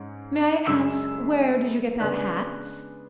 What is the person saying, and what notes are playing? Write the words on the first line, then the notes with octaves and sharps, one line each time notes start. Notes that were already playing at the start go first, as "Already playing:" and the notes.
"May I ask where did you get that hat?"
Already playing: G#2 G#3 C#4
F#2 C#3 G#3 D4 E6
C#3 G#3 B3 D4 F#6